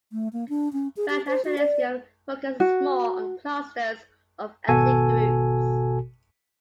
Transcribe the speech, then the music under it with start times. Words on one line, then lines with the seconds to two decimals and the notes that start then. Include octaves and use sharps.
Pan-nationalism focuses more on "clusters" of ethnic groups.
0.12 A3
0.33 A#3
0.49 D4
0.73 C#4
0.97 G#4
1.09 G4
1.27 C5
1.45 F#4
1.58 D5
2.60 F#4
4.68 G#1 B2 F#4 A4 G#5